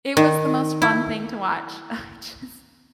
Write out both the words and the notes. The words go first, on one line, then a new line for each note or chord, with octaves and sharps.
it was the most fun thing to watch. I just
D#3
E4